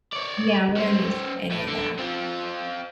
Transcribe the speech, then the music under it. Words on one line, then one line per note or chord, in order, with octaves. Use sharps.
Yeah, we don't use any of that.
C#5 D5
C#4 C5
A2
D3
C4 F4